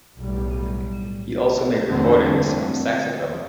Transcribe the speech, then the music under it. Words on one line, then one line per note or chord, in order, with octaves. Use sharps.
He also made recordings on the saxophone.
B1 A2 G3
E2 D3 A3 C4